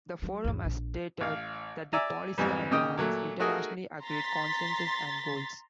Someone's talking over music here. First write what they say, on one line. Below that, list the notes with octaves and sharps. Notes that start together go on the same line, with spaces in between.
The forum has stated that the policy "undermines internationally agreed consensus and goals".
F#3
E2 G#2
A#1
A1 F5
D5 E5 G#5 A#5
F2 G#2 E3 G3
A#2 C#3 D#5 G5 D#6
A#2 F#3 A3
A3 D#4 F#4 G#4 A#4 D#5
A#5 C6 A6 B6